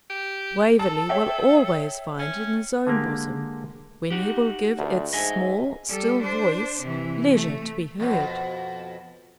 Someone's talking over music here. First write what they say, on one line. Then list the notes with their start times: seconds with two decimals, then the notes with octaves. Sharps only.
Waverley will always find in his own bosom, when he will give its small still voice leisure to be heard.'
0.10 G4
0.79 A4 A5
1.09 C#5 E5 G5
2.19 C#4
2.87 D3 G#3 A#3 G4
4.10 D#4 F#4 G4
4.78 D2
5.13 G#2 D#5 E5 G#5
5.88 G3 A4
6.23 D4 C5
6.82 C3 E3
7.32 A3
8.00 F2 B2